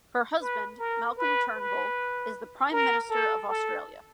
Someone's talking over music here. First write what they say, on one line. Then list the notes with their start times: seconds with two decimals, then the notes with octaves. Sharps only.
Her husband, Malcolm Turnbull, is the Prime Minister of Australia.
0.41 B4
0.79 A#4
1.18 B4
1.56 B4
2.72 A#4
3.10 A4
3.49 A4